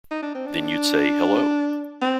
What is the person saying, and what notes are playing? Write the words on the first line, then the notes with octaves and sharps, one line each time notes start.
Then you'd say, 'Hello!'
D#4
D4
C4
D4
C4